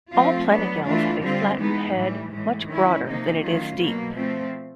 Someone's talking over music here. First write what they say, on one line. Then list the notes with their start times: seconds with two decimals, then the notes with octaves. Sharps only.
All planigales have a flattened head, much broader than it is deep.
0.12 F3 A3 C4 F4
0.48 F#3 B3 D4
0.85 E3 A3 D4 F4
1.21 D3 G3 C4 F4
1.58 E3 G#3 B3 D#4
1.94 A2 E3 G3
2.31 A2 E3 G#3
2.68 D#3 G#3 C#4 E4
3.04 C3 F3 A#3 D#4
3.41 D#3 F#3 A3 C#4 F4
3.77 B2 F#3 A#3
4.14 F3 A3 C4 F4